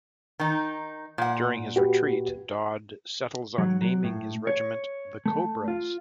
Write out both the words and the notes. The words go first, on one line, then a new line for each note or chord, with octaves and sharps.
During his retreat, Dodd settles on naming his regiment the Cobras.
D#3 D#4
A#2 F#5
F#4 G4 B4
F#3
F#3
A2
C#5
A3
F4